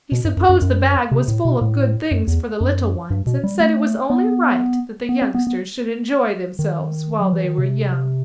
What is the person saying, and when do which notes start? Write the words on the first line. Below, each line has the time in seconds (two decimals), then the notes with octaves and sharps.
He supposed the bag was full of good things for the little ones and said it was only right that the youngsters should enjoy themselves while they were young.
0.12 B2
0.25 G2
0.37 F#2
0.49 F#2
0.62 F#2
1.11 C3
1.28 A2
1.45 B2
1.61 A2
2.11 F#2
2.27 E2
2.61 F#2
3.10 G2
3.27 B2
3.44 G3
3.60 A3
4.10 B3
5.09 B3
5.22 C4
5.34 B3
5.47 B3
6.59 D#3
7.20 F#3
7.32 E3
7.45 D#3
7.58 C3